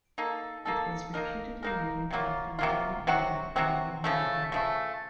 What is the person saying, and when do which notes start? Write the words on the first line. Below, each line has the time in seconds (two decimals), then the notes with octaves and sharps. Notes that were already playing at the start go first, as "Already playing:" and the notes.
It was reputedly named after a German immigrant Noble Van Hebel.
0.18 A#3 D#4 A4
0.65 A#3 D#4 A4
1.14 A#3 D#4 A#4
1.63 A#3 D#4 A#4
2.10 C3 F#3 A#3 F4
2.59 C3 F#3 A#3 F4
3.07 C3 F#3 C4 F#4
3.56 C3 F#3 C4 F#4
4.04 C#3 F3 A3
4.52 C#3 F3 A3